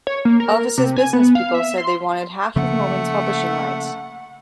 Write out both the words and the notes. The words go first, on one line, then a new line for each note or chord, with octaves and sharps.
Elvis's business people said they wanted half of Moman's publishing rights.
C#5
A#3
A#4
C3
G#5
B3
F5
E5
C6
C#3 F3 A3 A#3 F#5